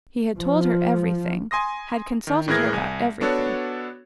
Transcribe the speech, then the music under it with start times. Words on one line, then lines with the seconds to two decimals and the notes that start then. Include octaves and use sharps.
He had told her everything, had consulted her about everything.
0.38 F3
1.51 G#5 C6 D#6 A#6
2.27 D#3
2.48 A2 E3 G#4 A#4 G#6 A#6
2.73 C2 G#5
3.21 B3 D4 F#4 A4 C#5